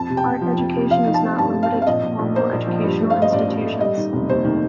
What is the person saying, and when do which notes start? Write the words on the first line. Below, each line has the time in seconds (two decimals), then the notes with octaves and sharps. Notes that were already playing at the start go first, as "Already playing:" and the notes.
Art education is not limited to formal educational institutions.
Already playing: F2 A5
0.09 C3
0.17 G5
0.26 C3
0.41 F3
0.58 F2
0.74 C3
0.90 F3 F5
1.06 D#4
1.14 A5
1.23 C4
1.38 G2 A5
1.55 G2
1.63 F5
1.71 C4
1.82 F5
1.87 A#1 D#5
2.03 A#1
2.19 A#1
2.36 A#3 C5
2.52 A#1
2.67 F3
2.84 G2
3.00 A3
3.10 F5
3.16 G2
3.22 D#5
3.32 A1 D5
3.48 A1
3.65 A3
3.81 G3 D#5
3.97 D#3
4.13 F1
4.29 D#2 C5
4.45 D#3